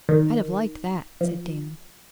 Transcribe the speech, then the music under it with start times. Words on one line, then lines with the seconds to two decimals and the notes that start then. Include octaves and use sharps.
'I'd have liked that!' said Dan.
0.09 D#3
1.21 F3